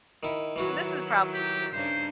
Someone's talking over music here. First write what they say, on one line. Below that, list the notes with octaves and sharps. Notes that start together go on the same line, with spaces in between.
this is probably, you know"
D#3 E4
D#3 E3 F#3 C#4 E4 F#4
G4
G2 C#3 D#4 C5